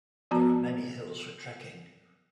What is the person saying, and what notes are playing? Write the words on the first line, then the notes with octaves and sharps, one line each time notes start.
There are many hills for trekking.
F3 B3 F#4 A5 A#5